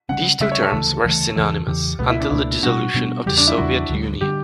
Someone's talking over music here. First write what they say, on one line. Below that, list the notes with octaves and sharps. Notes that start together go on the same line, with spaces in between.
These two terms were synonymous until the dissolution of the Soviet Union.
C#3 G3 C#4 F#5
C#3 G3 C#4 E5
C#5
A4
D2 C#3 E3 A3
D2 C#3 E3 A3
E2 C#3 E3 A4
E2 C#3 E3 G4
C#2 B2 A3 B3
E4
D4
C#2 B2 A3 E4
B2 G3 B3 D4 F#4
B2 G3 B3 D4
E2 C#3 G3 G4
D4
E4
E2 C#3 G3 F#4
D2 D3 G3
D3 G3 G4